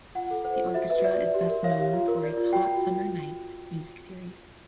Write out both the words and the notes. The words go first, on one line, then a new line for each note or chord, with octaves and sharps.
The orchestra is best known for its "Hot Summer Nights" music series.
F4 F#5
A4
C5
F4
F#4 E5
B4 E5
D5 E5
F#4
G4
A#4
C#5 F5
G4
F4
A#4
D5
F4
F#4 G5